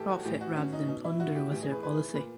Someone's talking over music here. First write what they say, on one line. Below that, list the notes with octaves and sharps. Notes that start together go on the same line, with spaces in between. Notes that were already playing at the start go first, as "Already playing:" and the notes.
Profit rather than plunder was their policy.
Already playing: A2 E3 G4 A4
F#4
A2 E3 G4
F#4
C#4
D#4
B2 D#4
E4
F#4
G4
A2 E3 G4
G#4
B4
B4
A#2 B4